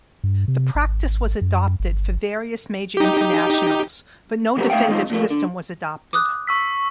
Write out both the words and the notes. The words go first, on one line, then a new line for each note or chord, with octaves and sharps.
The practice was adopted for various major internationals but no definitive system was adopted.
G2
C3
G#1
F#2
G1
D#4 G4
C#3 F#3 G3 B3 C4 A#4
A3 E5 F5 G5
D#3 G3 G#3 C4 D#4 F4
A#2 F3 A3 A#3
D3
D6 D#6 F#6
C#6 E6 B6